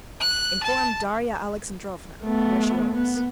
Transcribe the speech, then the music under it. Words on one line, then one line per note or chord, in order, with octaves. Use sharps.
"Inform Darya Alexandrovna: where she orders."
F#6
A5
A3 B3
B3